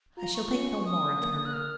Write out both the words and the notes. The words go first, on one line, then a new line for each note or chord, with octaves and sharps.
"I shall think no more of her."
F4 A#5
C#6
C#4
C#6
D#6
A#3
F#6
F6